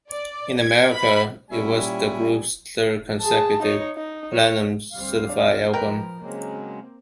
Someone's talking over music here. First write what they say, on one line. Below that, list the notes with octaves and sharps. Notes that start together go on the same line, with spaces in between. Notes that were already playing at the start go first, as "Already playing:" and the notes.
In America, it was the group's third consecutive Platinum-certified album.
D5
G#6
B5
A#2 G3 C#4 E4 E5 G#5
G#4 A5
D#4 C#5
D#4
C#5
D2 G3 C4 F5
D4
F3 A#4 B4 G5
C#3 F#3 G#3 A#3 C4